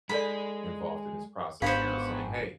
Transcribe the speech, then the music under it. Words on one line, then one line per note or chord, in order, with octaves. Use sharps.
involved in this process, and just saying, "Hey,
G#3 D#4 A4 D5 B5
G#1 B3 D4 G4 C5 C#5 F5 B5